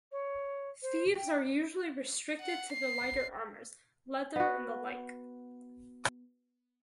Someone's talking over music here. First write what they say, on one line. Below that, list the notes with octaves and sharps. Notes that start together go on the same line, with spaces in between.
Thieves are usually restricted to the lighter armors, leather and the like.
C#5
C5
G5
F#5
C7
B3 F#4